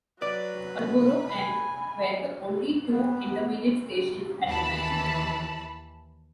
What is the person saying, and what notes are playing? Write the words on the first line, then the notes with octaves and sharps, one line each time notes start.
Pulborough and were the only two intermediate stations at the time.
F#3 B4 D5
G#5 B5
B3
D#2 E3 A5 B5